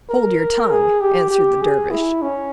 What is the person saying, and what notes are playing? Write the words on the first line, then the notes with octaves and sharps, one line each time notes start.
"Hold your tongue," answered the Dervish.
A#4
G#4
G4
G4
G#4
E4
C#4